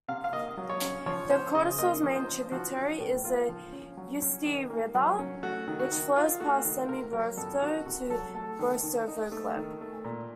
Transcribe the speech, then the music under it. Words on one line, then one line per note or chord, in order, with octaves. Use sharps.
The Kotorosl's main tributary is the Ustye River, which flows past Semibratovo to Borisogleb.
C3 F5
F5
A#3 D#5
F#3
C#5
C#4
F3 C#5
C#4 C5
C#3 D#5
A#3 D#5
F3
C5
C#4
F3 F#4
C#4
A2
A#3 F4
F3
C#4
F#3
C#4
D#3
A#3
F#3
C#4
A3 F#4
D#3
F#4
D#3
D#4 F4
A3 F#4
D#3
C3 A#4
F#3 A#4
F2 A4
D#3 F#4
C3 F#4
F#3 A4
A3 A4
D#3
D#3
D#4
A3
D#3
A3
A#2